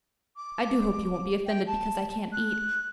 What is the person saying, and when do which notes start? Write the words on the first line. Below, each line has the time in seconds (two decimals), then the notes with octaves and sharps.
I do hope you won't be offended because I can't eat.
0.37 D6
1.46 G5
1.67 A5
2.32 F#6